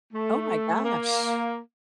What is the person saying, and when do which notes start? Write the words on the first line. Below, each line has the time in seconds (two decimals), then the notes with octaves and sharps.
Oh my gosh.
0.13 A3
0.84 A#3